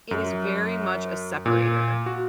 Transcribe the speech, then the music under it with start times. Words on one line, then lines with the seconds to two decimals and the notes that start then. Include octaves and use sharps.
it is very much a separator.
0.11 F#2
1.46 A#2
2.06 F#4